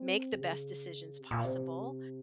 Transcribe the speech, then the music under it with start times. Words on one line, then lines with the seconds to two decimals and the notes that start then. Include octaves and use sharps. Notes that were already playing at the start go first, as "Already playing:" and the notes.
make the best decisions possible,
Already playing: C4
0.33 C3
0.39 C#3
1.19 C3
1.31 A#2
1.44 C3